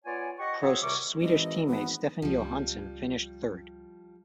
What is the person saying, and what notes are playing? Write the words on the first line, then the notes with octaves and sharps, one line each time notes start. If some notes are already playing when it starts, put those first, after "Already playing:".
Prost's Swedish team mate Stefan Johansson finished third.
B3 F4 C#5 D5 G#5
G4 D#5 F#5 C#6
C4 F#4 G#4 C#5 E5 F#5
C#2 C3 D#3 G3 C#6 D6
G#1 E3 D#5
G#1 B3
C#2 F3 G3